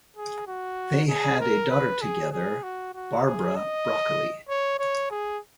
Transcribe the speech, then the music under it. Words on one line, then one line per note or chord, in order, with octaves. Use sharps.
They had a daughter together, Barbara Broccoli.
G#4
F#4
G#4
A#4
B4
G#4
G#4
F#4
F#4
G#4
D#5
C#5
C#5
G#4